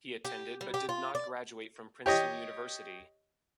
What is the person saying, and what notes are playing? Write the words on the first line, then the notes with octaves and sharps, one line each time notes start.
He attended but did not graduate from Princeton University.
G4
G3
G4
F4
D5
G4 C#5 D#5